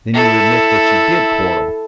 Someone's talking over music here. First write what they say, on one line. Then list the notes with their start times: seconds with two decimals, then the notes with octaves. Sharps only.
"Then you admit that you did quarrel?"
0.14 E4 A4